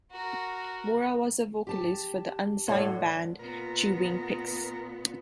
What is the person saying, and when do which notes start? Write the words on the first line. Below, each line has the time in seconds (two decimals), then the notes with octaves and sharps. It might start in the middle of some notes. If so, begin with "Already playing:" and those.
Mora was the vocalist for the unsigned band Chewing Pics.
0.11 F#4 A#4
1.67 G4 A5
2.68 A2 F#4 C#5 D5 C6
3.39 A#2 B3 A#4